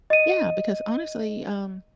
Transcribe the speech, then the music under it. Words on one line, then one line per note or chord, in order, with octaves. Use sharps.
Yeah, because, honestly, um,
D#5 D#7